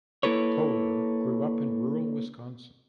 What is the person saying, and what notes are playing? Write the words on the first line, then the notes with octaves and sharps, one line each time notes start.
Koehler grew up in rural Wisconsin.
A#3 E4 A4 B4 C#5